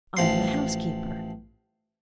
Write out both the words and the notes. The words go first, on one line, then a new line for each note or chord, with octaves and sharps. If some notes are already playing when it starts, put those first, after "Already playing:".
"I am the housekeeper."
A1 F3 C6